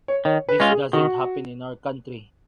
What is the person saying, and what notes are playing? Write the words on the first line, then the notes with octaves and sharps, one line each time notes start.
This doesn’t happen in our country.
C#5
D#3 C#5
B4
G#3 C#4 F4
G#4
D#3 F#4